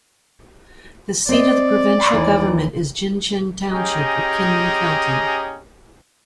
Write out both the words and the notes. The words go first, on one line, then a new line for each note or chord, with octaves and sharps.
The seat of the provincial government is Jincheng Township of Kinmen County.
C4 D5 D#5
D#2 D#3 E3
C#4 G4 G#4 D#5 G5 A#5